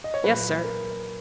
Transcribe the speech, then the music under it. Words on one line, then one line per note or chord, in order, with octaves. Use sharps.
"Yes, sir."
D#5
C#5
A#2 F#3 B4
A#4